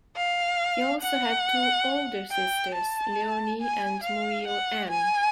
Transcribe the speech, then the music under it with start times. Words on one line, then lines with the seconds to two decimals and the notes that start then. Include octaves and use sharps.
He also had two older sisters, Leonie and Muriel Ann.
0.16 F5
1.02 F#5
2.31 G5
2.75 A5
3.61 G#5
4.04 F5
4.47 F#5
4.90 G#5